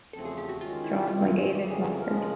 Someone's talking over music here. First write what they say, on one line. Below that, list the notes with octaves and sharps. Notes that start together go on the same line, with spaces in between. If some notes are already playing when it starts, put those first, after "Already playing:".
Drawn by David Mostyn.
E2 C#3 F3 A3 C4 A4
G#4
G4
F#4
D#3 G#3 C#4 F4
E4
C3 D#3 G#3 C4 F4
F#4
F#4
F2 C#3 E3 G4
G#4
A4
C#3 F3 G#3 A#4